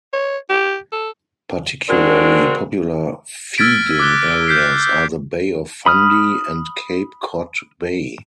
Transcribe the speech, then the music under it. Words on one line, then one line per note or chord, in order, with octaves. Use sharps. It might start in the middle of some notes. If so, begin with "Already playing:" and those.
Particularly popular feeding areas are the Bay of Fundy and Cape Cod Bay.
C#5
G4
A4
D3 G#3 C4 D4 F#4 A#4
E6 F6 G#6 A6 B6 D7
D6 F#6 G7
F6 G6 B6 C7
B5 D#6 F6